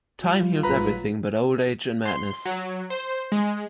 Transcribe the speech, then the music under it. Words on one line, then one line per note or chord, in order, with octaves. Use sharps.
Time heals everything but old age and madness.
G3 F4
A1 F#3 B4 A#5 B5
C6
F#3
C5
G#3